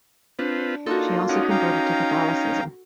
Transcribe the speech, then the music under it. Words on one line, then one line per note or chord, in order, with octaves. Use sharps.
She also converted to Catholicism.
C4 D4 F4 B4
A#3 D#4 F4 F#4 A4
C#4 D#4 F#5 D6 D#6
F5 G5 A#5